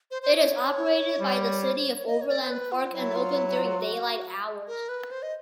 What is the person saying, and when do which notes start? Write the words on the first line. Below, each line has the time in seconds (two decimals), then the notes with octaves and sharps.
It is operated by the City of Overland Park, and open during daylight hours.
0.11 C5
0.22 C5
0.33 C#5
1.20 G3
2.07 D#5
2.21 C#5
2.28 D5
2.42 C5
2.50 B4
2.72 F4
2.93 F#3 E4
3.15 F4
3.37 E4
3.58 F4
3.81 F#4
4.68 A#4
4.89 B4
5.11 C5
5.22 D#5